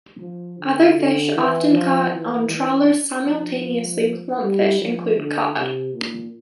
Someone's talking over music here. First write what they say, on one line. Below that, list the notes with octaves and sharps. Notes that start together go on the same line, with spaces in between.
Other fish often caught on trawlers simultaneously with lumpfish include cod.
F3
D3
D3
E3
F3
E3
E3
F3
G3
F3
D3
C3
A#2